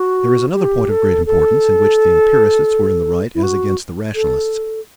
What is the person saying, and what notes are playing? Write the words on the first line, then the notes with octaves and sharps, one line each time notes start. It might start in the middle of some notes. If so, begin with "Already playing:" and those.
There is another point of great importance, in which the empiricists were in the right as against the rationalists.
Already playing: F#4
G4
A4
A4
E4
F#4
A4